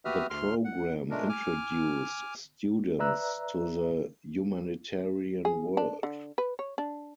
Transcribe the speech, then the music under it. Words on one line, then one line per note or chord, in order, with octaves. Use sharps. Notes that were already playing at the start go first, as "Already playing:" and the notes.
The program Introduce students to the humanitarian world.
F#4 G4 B4 E5 D#6 F6
D2 C6 F6
F#5
A#2 G#3 A3 D4 A#4
G#5 D6 F6
B4 D5 E5 A#5 E6 F#6
G#4
D4
D3
B4
C#5
D4